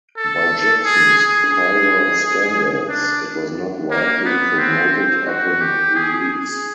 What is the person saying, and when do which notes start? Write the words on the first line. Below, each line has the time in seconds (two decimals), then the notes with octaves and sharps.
By Jackson's prior standards, it was not widely promoted upon release.
0.17 A4
0.85 G#4
1.19 G#4
1.53 G#4
2.88 D4
3.91 A#3
4.25 B3
4.59 C4
4.93 C4
5.27 F#4
5.61 G4
5.95 G#4
6.29 G#4